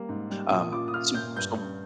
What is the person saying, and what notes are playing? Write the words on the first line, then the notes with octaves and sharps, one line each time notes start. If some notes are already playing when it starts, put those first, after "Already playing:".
Um, so so
Already playing: G3 A#3
G#2
G3
A#2 D#6
F4 D6
D#6
F4 F6
A#2 G6
G2 G6
G2